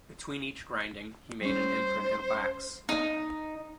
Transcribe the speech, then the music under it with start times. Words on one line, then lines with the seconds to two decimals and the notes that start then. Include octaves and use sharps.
Between each grinding, he made an imprint in wax.
1.41 G3 C#4 C5
2.89 D#4